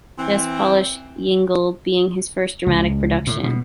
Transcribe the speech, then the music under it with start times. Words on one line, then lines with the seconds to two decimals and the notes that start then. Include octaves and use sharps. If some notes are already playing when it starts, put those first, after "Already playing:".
"Das Polishe Yingel" being his first dramatic production.
0.19 E3 C4
2.67 C#2
3.27 A2
3.44 B2